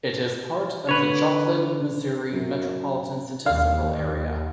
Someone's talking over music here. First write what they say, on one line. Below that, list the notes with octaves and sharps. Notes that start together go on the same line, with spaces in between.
It is part of the Joplin, Missouri Metropolitan Statistical Area.
D3 B4 C#5
F#2
D#2 F5